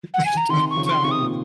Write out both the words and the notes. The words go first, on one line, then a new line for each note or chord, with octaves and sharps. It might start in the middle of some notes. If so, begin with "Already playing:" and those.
T take your time with
F#5
G#5
A#5
C3 D#3 C6
C#6
C#3 F3
C#6
C6
C3 D#3 C#6
D#6
A#2